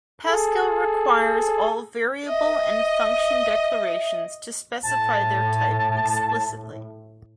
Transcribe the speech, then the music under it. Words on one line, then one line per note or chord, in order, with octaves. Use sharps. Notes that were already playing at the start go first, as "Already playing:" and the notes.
Pascal requires all variable and function declarations to specify their type explicitly.
G#4 A4
D#5 E5
A2 A5